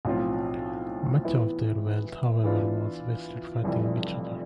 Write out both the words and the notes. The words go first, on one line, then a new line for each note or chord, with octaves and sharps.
Much of their wealth, however, was wasted fighting each other.
B1 A2 F3 C4 F4
E3 B3 E4
E3 B3 D4 F4
F1 F2 E3 G3